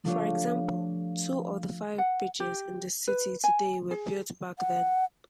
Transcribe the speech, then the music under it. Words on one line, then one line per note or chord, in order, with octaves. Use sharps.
For example, two of the five bridges in the city today were built back then.
F3 G3 A3 D4 F4 C#5
F#5
G4
B4
G#5
G#4
F#5